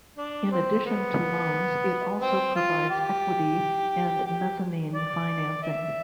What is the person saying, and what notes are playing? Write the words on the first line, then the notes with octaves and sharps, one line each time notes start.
In addition to loans it also provides equity and mezzanine financing.
D4
C4
B3
C4
F4
G4
G4
D5
E5